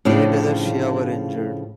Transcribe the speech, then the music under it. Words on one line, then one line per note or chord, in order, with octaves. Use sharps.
Eight other Shia were injured.
A2 C#3 F3 D4